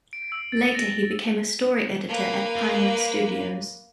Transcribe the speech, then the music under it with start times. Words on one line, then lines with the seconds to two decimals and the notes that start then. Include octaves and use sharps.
Later he became a story editor at Pinewood Studios.
0.13 D7
0.32 E6
0.52 A6
0.75 A#6
2.08 A#3 B4